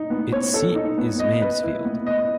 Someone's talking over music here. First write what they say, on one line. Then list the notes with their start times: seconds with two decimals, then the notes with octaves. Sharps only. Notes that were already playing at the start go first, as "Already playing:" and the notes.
Its seat is Mansfield.
Already playing: D#4
0.10 B3
0.32 C#5
0.54 A4
0.75 D#4
0.98 B3
1.19 D#5
1.42 B4
1.63 E4
1.85 B3
2.07 D#5